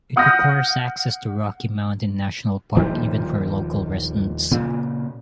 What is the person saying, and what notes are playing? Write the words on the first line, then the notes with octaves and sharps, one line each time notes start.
It requires access to Rocky Mountain National Park even for local residents.
F5 F#5 D#6 F6 G6 A#6
D#1 D#3 F3 G3
A#2 C#3